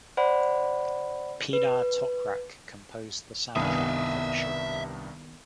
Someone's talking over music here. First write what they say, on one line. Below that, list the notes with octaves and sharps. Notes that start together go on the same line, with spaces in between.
Pinar Toprak composed the soundtrack for the short.
C5 D5 F#5 B5
B4
C2 G2 D#3 B3 E5 F5 G#5 D#6